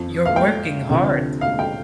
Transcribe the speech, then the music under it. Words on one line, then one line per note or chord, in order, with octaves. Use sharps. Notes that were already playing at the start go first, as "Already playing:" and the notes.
You’re working hard.
Already playing: F2 F3
F5
G5
D2 C3 F3
F5
G5